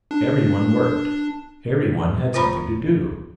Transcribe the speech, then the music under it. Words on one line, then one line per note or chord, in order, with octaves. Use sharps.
Everyone worked, everyone had something to do.
D4
F4 B4 C5 A#5 B5 C#6